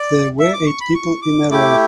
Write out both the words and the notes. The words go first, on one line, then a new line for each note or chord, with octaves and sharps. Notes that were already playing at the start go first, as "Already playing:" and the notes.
There were eight people in a row.
Already playing: D5
E5
D6
C#6
B5
C#6
D6
A3 E4 G4 D6